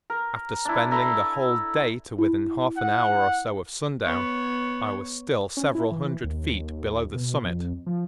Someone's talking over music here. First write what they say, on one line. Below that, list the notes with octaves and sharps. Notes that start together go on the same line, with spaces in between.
After spending the whole day to within half an hour or so of sundown, I was still several hundred feet below the summit.
A#4
D4 E4
A4 E5 A#5 B5
E4
F#5
B3 C#5
C#4
E4
E3
D#2
B2
F2
F3